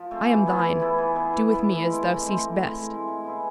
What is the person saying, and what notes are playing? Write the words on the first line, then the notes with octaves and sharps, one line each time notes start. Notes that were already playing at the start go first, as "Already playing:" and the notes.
"I am thine; do with me as thou seest best!"
Already playing: F3
A3 C4 G#4
E3
B3 E4 G#4
E3
B3 E4 G#4
E3
B3 E4 G#4
E3
B3 E4 G#4
A2
G#3 C4 E4
A2
G#3 C4 E4
A2
G#3 C4 E4
A2
G#3 C4 E4
G#3
B3 E4 G#4